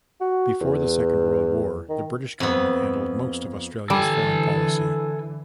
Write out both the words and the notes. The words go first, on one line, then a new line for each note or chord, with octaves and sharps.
Before the Second World War, the British Government handled most of Australia's foreign policy.
F#4
E2
D#3
F2 B3
D3 E3 G3 A4 G#5